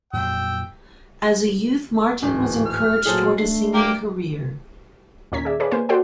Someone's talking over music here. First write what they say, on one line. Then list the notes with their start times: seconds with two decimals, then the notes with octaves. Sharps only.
As a youth Martin was encouraged toward a singing career.
0.13 F2 A#2 F#3 G5 E6
2.23 D1 G#2 E3
2.66 F6
3.05 A#2 F#3 G#4 A4 C5
3.38 A3 D4 C7
3.74 A#3 G4 A#4
5.32 D#2 A#2 C#4 A#5 G#6 B6
5.45 G#4 D5 E5
5.60 F4 G#4 A4 B4 C#5 D5
5.71 A#3 B4 C5 G#5
5.89 F#4 A4 C5 D5 F#5 G5